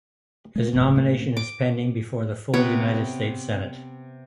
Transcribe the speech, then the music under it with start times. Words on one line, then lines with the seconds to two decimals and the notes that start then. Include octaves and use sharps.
His nomination is pending before the full United States Senate.
0.56 G#3 A3
0.74 G1 F2 A2
0.97 D2 A2 A#3 C#4
1.37 D6
2.54 C3 B3 B4 C#5